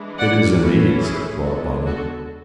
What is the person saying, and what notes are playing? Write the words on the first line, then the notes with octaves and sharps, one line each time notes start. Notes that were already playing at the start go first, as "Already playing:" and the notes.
"It is, indeed!" said Clawbonny.
Already playing: E3 G#3 D4
D5 F#5
E3 A3 C#4 F#4 A4
E4 G#4
D3 G#3 B3 D4 F#4 A4
F#4 A4